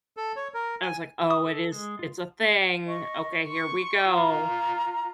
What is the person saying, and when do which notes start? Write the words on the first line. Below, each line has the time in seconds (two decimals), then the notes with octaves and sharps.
I was like, "Oh, it is it's a thing. Okay, here we go."
0.17 A4
0.36 C#5
0.54 A#4
0.82 G#5
1.31 D#6
1.46 A4
1.72 G#3
1.99 F4
2.86 D#5 C#6
3.48 C6 C#6
4.09 F4 A#5